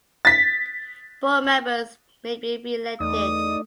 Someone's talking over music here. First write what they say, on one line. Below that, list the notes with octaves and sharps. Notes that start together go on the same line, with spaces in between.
Board members may be re-elected.
A6 B6
E2 A3 D#4 D5 D#6